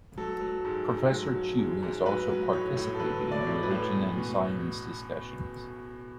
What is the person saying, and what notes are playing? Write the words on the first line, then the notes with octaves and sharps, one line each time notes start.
Professor Chew has also participated in religion and science discussions.
F#3 A4
F#3
G#2
G#2
F#3
F#3
G#2
G#2
F#3 B4
F#3
A2 C#5
A2
A4
F#3 B4
F#3
D5
C#5
A2 D5
B4
A2
E2
B2